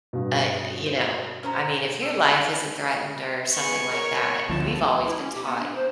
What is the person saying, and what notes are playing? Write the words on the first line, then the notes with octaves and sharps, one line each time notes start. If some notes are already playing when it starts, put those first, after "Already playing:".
Uh, you know, I mean, if your life isn't threatened or something like that, we've always been taught,
G2 B2
C5
C#4 C5 A#5
C4
B3 G#4 C#6
A#4 C#5
D2 F3 A5
E4
C#4
G4
B3
D4
C5